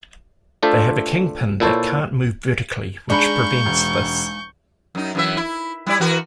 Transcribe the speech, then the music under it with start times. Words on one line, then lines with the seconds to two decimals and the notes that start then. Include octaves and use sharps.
They have a kingpin that can't move vertically which prevents this.
0.63 A3 D4 F4 A4 C5 E5
1.60 A#2 E4 A4 C5 C#5
3.10 G#3 D4 D#4 F5 B5 C#6 G6 C#7
3.66 E1
4.95 F#2 D#4
5.15 F#2 E3 E5
5.37 E4
5.87 G3 E4 D5
6.00 E3 F#4 A#4